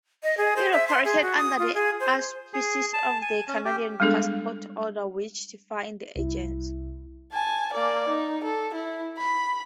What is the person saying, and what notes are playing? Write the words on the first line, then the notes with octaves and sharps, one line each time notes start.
It operated under the auspices of the "Canadian Passport Order" which defined the agency.
D#5
G#4
C5
E5
C6
G#4
F#4
D#6
F4
G#4
C5
G#4
A5
G#5
C#4
G4
G3 G#3 B3 D4 G#4 A4
C2 E4
G#5 A5
A#3 D5
D#4
A4
E4
B5